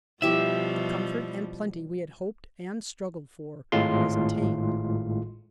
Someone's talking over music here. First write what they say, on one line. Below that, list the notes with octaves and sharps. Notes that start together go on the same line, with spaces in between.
The comfort and plenty we had hoped and struggled for was attained.
B2 F3 G3 E4 G4 C#5 E5
G#1 A2 G#3 F4 C6